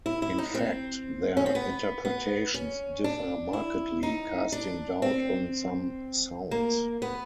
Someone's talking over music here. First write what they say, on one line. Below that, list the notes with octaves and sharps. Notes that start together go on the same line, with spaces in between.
In fact their interpretations differ markedly, casting doubt on some sounds.
E4
E4
D#4
C4
C#4
C4
B3
B3
C#4
D4
E4
D#4
D4
C4
A#3
B3